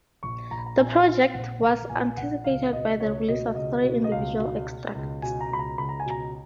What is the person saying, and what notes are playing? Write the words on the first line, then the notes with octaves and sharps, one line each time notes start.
The project was anticipated by the release of three individual extracts.
A#1 C#6
A#1 A#5
B5
A#5
A#2 G#5
A#2
A#1 F#5
A#1 A#5
A#1 G#5
G#5
A#1 F#5
C#2 F5
B2 D#5
C#2 C#5
B2 D#5
C#2 D#5
B2
D#5
C#2 F5
B2
B2
C#2
B2 G#5
A#5
C#2 B5
A#5
C#2 B5
A#5
G#5
B2 A#5